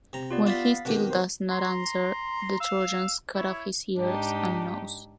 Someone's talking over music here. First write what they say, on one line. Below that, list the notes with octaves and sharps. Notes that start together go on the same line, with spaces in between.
When he still does not answer, the Trojans cut off his ears and nose.
C3 A#5
B3 F4 G4 D5
F4 D5 E5 F5 A6 B6
B2 D#3 C4 G4
C5
A#5 C6
F5 E6
E4 C#5
G#2 D4 D#4 G4